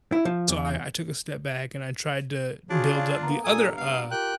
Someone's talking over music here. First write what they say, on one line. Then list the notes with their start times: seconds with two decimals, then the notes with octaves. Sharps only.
So I I took a step back and I tried to build up the other, uh,
0.12 E4
0.25 F3
0.48 E2
2.70 D4 F4 F#4 G#4 C#5 D6
2.93 D5 F5
3.23 A#3 B3 A#5
3.44 G2 A#2 A4 G#5 D#6
3.77 B3 F5
4.11 F4 G4 A#4 G5 F#6